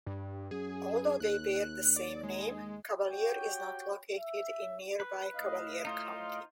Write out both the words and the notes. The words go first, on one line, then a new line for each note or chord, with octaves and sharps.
Although they bear the same name, Cavalier is not located in nearby Cavalier County.
G2
F#2 G#4
D#2 F#6
D5
G#3
F#4 G4 C#5 G5
E5
B4
A2 D#5 F5
D#4 F4 C5